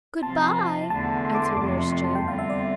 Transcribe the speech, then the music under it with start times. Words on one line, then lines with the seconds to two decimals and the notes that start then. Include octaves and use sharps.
"Good-bye!" answered Nurse Jane.
0.22 C3 F3 C4 F4 A5
0.90 E2 D3 A3 A5
1.25 C6
1.35 D6
1.46 C6
1.57 F2 C3 F3 A3 D6
1.67 C6
1.92 C6
2.04 A5
2.15 G5
2.27 E2 D3 G3 C4 F4 F5
2.39 E5
2.50 D5